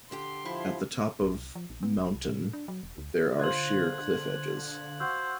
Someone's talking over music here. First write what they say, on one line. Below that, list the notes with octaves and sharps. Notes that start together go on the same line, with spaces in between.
At the top of mountain there are sheer cliff edges.
D3 G4 G5 C6
F3 E4
A1
C2
F3
A#1
B3
F#1
C2
A2
D4
F#3
E1
D2
D3 F4 C5 F#6 G#6 F#7
F#4 C5 E6